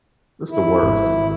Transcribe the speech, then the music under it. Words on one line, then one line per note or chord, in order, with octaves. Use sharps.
It's the worst.
E4
G#1